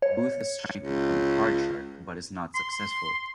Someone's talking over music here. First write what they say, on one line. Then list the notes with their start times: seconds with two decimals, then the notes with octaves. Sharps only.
Booth is trying to become a "card shark", but is not successful.
0.02 C#5
0.77 C#2
2.55 C6